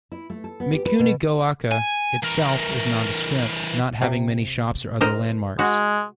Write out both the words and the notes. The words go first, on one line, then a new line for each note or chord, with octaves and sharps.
Mikunigoaka itself is nondescript, not having many shops or other landmarks.
E4
A3
A4
B3
G4
B4
B2
G#5
E3 A#4
C3
A#4 C5 D#5
G#3 F#4